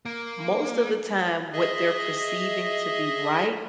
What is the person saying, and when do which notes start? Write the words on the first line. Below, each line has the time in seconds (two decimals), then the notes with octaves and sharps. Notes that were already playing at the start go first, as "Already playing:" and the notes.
most of the time what they're perceiving to be right
0.05 A#3
1.53 G#4 D#5 E5